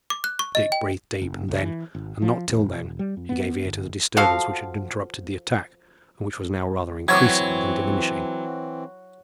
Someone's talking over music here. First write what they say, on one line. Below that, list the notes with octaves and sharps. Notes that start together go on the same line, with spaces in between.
Dick breathed deep, and then, and not till then, he gave ear to the disturbance which had interrupted the attack, and which was now rather increasing than diminishing.
D6
F#6
C#6
D#5
G5
F#1
C#2
E3
G#1
F3
E1
G3
F2
B3
G1
F3 F#4 A4 F5
E3 F#3 C4 E4 B4 C#5 G#6